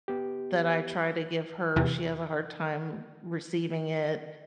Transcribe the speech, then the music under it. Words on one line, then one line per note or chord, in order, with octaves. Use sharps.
that I try to give her. She has a hard time receiving it.
B3 G4
E2 C3 E3